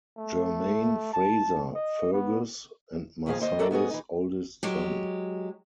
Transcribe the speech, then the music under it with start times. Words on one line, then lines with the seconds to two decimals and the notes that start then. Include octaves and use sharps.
Germain Fraser - Fergus and Marsali's oldest son.
0.18 A3
1.14 A5
1.75 D#5
2.13 B3
3.26 G2 A#2 D#3 F3 G#4 F5
3.40 D#2 C5 D#5
3.59 F#4 A4 A#4 D5 D#5 F5
3.71 G#2 B3 F#4 G#4
3.90 E3 D#4
4.63 F#3 G#3 G4